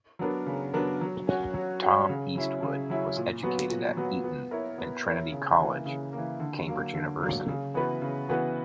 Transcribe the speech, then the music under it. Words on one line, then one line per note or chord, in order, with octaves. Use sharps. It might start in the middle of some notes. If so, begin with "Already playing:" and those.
Tom Eastwood was educated at Eton and Trinity College, Cambridge University.
F#3 B3 D4 A#4
C#3
F#3 B3 D4 A#4
F#3
C#4 F#4 C#5
F#3
C#4 F#4 C#5
C#3
F#3 C#4 E4
C#3
F#3 C#4 E4
A#2
F#3 B3 F#4
A#2
F#3 B3 F#4
B3
E4 A#4 C#5
B3
E4 A#4 C#5
C#3
E3 A#3
C#3
E3 A#3
D3
F#3 A#3
D3
F#3 A#3
C#3
E3 B3 F#4 B4
C#3
E3 B3 F#4 B4